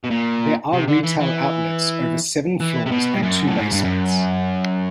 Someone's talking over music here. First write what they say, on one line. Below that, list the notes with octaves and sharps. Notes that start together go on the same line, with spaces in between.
There are retail outlets over seven floors and two basements.
B2
A#2
C3
D3
E3
E3
E3
C3
B2
G2
F#2
A2
G#2
G2
F#2